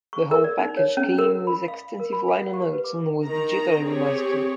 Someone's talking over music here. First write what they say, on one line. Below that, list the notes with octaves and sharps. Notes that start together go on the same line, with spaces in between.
The whole package came with extensive liner notes and was digitally remastered.
C#6
A#4
D5
D#4
C#5
C#4
A#4
B5
F5
A#4
B5
F5
F#5
G4
B4
D6
D#3 A#5
C4 G4 G#4 C#5